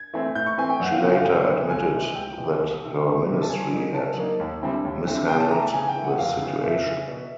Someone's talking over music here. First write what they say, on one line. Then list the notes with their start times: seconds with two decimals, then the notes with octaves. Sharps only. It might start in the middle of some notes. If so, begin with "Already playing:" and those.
She later admitted that her ministry had mishandled the situation.
Already playing: G#6
0.13 E3 A3 C4
0.35 A2 G6
0.46 C#6
0.58 E3 A3 C4 G#5
0.70 G5
0.80 F#2 F#5
0.92 F5
1.03 C#3 E3 F#5
1.14 F5
1.25 F#2 G5
1.47 C#3 E3
1.70 C#2 G#5
1.93 C3 E3 G#3
2.14 C#2 G5
2.38 C3 E3 G#3
2.60 C2
2.82 C3 D#3
3.05 C2
3.27 C3 D#3
3.42 A5
3.49 C#3 G#5
3.72 F#3 A#3 D#4
3.94 C#3 A5
4.17 F#3 A#3 D#4
4.39 D#2
4.62 D3 G3 C4 E4
4.85 D#2
5.07 D3 G3 C4 E4
5.28 C#3 G5
5.40 A5
5.51 E3 A3 A#5
5.62 A5
5.73 C#3 G#5
5.88 G5
5.96 E3 A3
6.04 F#5
6.18 F2 F5
6.42 C#3 E3
6.64 F2 E5
6.86 C#3 E3
7.08 B2